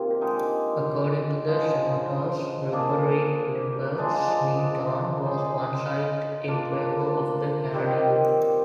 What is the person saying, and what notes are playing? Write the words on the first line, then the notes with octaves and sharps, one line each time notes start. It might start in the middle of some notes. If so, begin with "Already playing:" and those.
According to the Senators, referee Cooper Smeaton was one-sided in favour of the Canadiens.
Already playing: C3 D#3 A#3 F4
D3 G#3 D#4 A#4
D3 F3 G#3 D#4
A#3 D4 G#4
F3 G#3 D4 G#4
G#3 D#4 G#4 C5
F3 A#3 D4 F4
D#3 G3 C4 G4